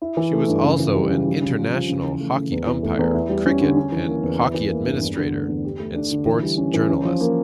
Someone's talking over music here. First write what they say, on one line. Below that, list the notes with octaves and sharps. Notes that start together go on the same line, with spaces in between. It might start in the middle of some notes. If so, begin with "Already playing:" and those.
She was also an international hockey umpire, cricket and hockey administrator, and sports journalist.
E4
E3
A3
G2
C#3
E3
G3
C#3
F3
C#4
F4
F3
C#3
E3
A3
C#3
E2
E3
A3
E2
E4
G3
C#4
D3
C#4
E3
A#3
E2
E4
E3
A#3
G2
E2
D3
A3
E2
G4
A3
D4
D3
E3
G3
C#4
E3
C#4
F3
A#3